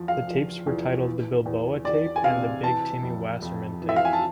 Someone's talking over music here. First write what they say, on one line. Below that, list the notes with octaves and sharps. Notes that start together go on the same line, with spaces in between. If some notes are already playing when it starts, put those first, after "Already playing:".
The tapes were titled the "Bilboa" tape and the "Big Timmy Wasserman" tape.
Already playing: E2 F3
F5
F3
E2
E3
E2
E2 D5
G#5
C3 F5
E3 A5
F2
F2
E3
E5
F5
G#5
A5